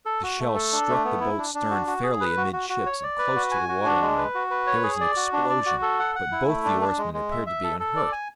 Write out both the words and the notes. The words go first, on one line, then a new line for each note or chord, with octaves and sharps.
The shell struck the boat's stern fairly amidships, and close to the water-line; there was an explosion, but both the oarsmen appeared to be unhurt.
A4
F#4
A3
A4
D4
A3
B3
E4
D4
D4
F#4
F#4
G#4
B4
F#4
F#4
F#4
C#5
D5
B4
F#4
G#5
F#4
D4
G#3
B4
F#4
B4
C#5
G#4
D5
F#4
D4
D5
F#4
A4
F#5
F#5
E4
A3
D4
D4
G#3
G#3
E5
E5
A4
A4
D5
G#5